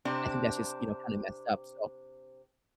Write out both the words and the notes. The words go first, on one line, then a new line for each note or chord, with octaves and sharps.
I think that's just, you know, kind of messed up, So,
C3 C4 D4 E4